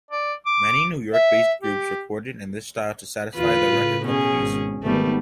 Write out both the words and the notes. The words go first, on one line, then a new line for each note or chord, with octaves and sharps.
Many New York-based groups recorded in this style to satisfy their record companies.
D5
D6
E5
G4
E2 D3 F4 B4
A2 C#3
B2 C#4 G#4
G#1
G#1 D#3 G3 A3 B3